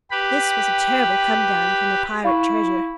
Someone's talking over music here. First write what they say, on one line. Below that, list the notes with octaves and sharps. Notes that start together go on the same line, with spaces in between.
This was a terrible come-down from a pirate treasure.
G4 B4 B5
E4 F5 C#6